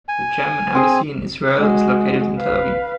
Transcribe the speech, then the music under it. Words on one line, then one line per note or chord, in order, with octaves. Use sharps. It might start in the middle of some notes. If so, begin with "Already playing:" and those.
The German Embassy in Israel is located in Tel Aviv.
G#5
C4 G#4
G#3 F#4
B4 F5